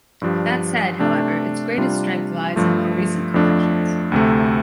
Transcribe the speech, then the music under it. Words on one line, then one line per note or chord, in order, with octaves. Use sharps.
That said, however, its greatest strength lies in more recent collections.
G2 F3 D4 G4
C3 A3 D4
C3 G3 D4 F4
G2 F3 A3
F2 F3 A3 D4
D2 C3 A3